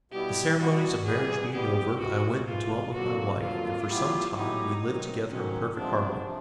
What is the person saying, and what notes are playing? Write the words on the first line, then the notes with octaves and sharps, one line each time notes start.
The ceremonies of marriage being over, I went and dwelt with my wife and for some time we lived together in perfect harmony.
B2 G3 B3 E4 G4
B2 G3 B3 E4 F#4
C3 E3 G3 B3 G#4
C3 E3 G3 B3 G4
C#3 E3 G#3 F#4
C#3 E3 G#3 F4
F2 D3 F#3 A#3 F#4
F2 D3 F#3 A#3 F4
A2 F#3 B3 E4 G4
A2 F#3 B3 D#4 E4 G4
G#2 D#3 F#3
G#2 D#3 F#3 C#4
F2 C3 F3 G#3 B3 D4
C3 F3